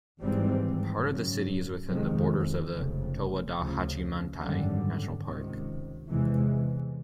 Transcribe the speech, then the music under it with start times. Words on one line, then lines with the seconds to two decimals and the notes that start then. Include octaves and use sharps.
Part of the city is within the borders of the Towada-Hachimantai National Park.
0.21 G#1 G#2 E3 G3 C4
1.05 G#1 F#2 C#3 F#3
1.90 F2 C3 D#3 G#3
2.74 F1 F2 C#3
3.58 D2 C#3 F3
4.43 G#1 F#2 D3 G3
5.27 C#2 C3 D#3
6.11 E2 C3 E3 G#3